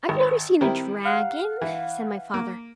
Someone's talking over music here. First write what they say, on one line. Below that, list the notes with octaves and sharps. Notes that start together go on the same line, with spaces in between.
"I've never seen a dragon," said my father.
G#1
D#3 G3 C4 E4
F5 F#5
E3
A#3